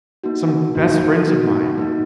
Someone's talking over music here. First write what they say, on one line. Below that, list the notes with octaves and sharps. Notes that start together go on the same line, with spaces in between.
some best friends of mine,
A#3 D#4 F#4
A#3 D#4 F#4
A#3 D#4 F#4
A#3 D#4 F#4